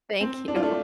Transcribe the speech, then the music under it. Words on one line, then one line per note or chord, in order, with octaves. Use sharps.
Thank you.
C4
D4
F4
A3 D4